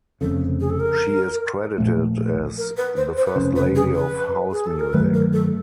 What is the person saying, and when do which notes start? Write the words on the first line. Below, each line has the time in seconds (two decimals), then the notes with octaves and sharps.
She is credited as "The First Lady of House Music".
0.21 F1 F2 C#3 A4
0.60 G#4
0.70 A4
0.80 A#4
1.78 A#1 A#2 F3 A3
2.58 A#4
2.77 B4
2.96 C5
3.17 C5
3.26 B4
3.36 F1 F2 C#3 C5
3.56 B4
3.75 G#4
3.95 B4
4.52 G#4
4.66 A4
4.80 A#4
4.94 G2 D#3 F#3 A3 B4
5.14 A#4
5.33 A4